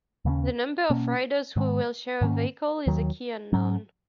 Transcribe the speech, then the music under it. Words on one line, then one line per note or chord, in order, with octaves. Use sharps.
The number of riders who will share a vehicle is a key unknown.
D#2 C#3 G#3 C#4
B2 A#3 C#4
G#2 D#3 G#3
G#2 D#3 A#3 C#4
D#2 D#3 F#3
G#2 F#3 C#4